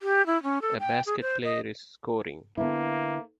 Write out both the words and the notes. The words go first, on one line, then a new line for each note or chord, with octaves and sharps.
A basket player is scoring.
G4
E4
C#4
A4
G5
G#4
C5
D#5
D3 A#3 B3 E4